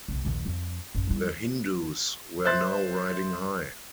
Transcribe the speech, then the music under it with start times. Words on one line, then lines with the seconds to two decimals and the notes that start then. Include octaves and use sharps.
The Hindus were now riding high.
0.08 F1 B1
0.25 A#1 D#2
0.45 F2 F3
0.95 A1 F#2
1.07 G3 E4
2.45 C5 E5 C6 F#6 A6